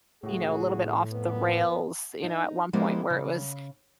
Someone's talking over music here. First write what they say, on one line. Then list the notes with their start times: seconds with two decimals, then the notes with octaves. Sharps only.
you know, a little bit off the rails, you know, at one point, where it was
0.23 C#2 A2 F#4 G#4
1.12 F2 A#2 B3
2.24 D#4
2.73 F3 G#3 A#3 B3 E4 G4
3.10 C#3